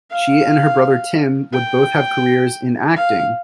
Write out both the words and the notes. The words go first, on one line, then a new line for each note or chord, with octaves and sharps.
She and her brother Tim would both have careers in acting.
F5
G5
F5